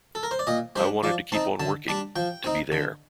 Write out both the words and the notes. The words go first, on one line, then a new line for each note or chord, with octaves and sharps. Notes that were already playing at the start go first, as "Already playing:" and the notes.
I wanted to keep on working, to be there.
A4
A#4
C5
D5
A#2 D#5
G3 D4 C5
F3 D5
C4 D#4 A5
D3 A5
G3 D4 A5
F3 G5
C4 D#4
D3